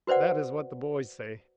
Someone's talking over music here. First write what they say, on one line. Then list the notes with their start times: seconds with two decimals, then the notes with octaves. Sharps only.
That is what the boys say.
0.07 F#4 B4 C5 D5 F#5